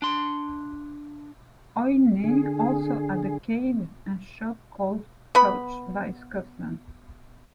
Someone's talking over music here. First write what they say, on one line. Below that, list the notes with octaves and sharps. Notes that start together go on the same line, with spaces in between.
Oyne also has a cade and shop called touched by Scotland.
D4 C6
D3 G#4
B3 B5